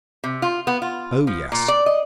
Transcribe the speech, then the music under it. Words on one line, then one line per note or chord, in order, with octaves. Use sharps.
Oh, yes!
C3
F4
B3
F4
F3
A#2
D5
D#5